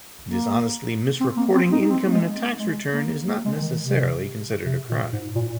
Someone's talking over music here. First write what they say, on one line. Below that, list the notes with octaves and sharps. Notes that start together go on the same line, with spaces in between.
Dishonestly misreporting income in a tax return is not necessarily considered a crime.
A#3
C4
A#3
C4
D#4
C4
A#3
G#3
G#3
A#3
A#3
G#3
D#3
C3
C3
A#2
G#2
A#2